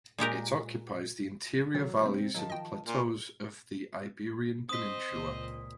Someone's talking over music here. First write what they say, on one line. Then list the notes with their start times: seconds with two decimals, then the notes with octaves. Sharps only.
It occupies the interior valleys and plateaus of the Iberian Peninsula.
0.18 A#2 G#3 G4 A#4
1.75 D#3 F#3
2.03 C3 F#3 A3 C4
2.35 D#3 F3 F#3 A5
2.50 D#5 G5
2.86 A#2
4.69 C4 D#5 D#6 B6
5.12 C#2 A#2